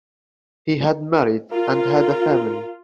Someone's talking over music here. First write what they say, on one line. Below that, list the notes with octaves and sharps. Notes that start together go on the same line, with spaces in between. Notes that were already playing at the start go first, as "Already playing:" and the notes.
He had married and had a family.
F4 A#4